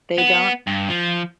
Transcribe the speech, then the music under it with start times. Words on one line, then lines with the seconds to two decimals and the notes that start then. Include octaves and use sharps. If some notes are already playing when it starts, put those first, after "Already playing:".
They don't.
0.18 B3
0.67 G2
0.90 F3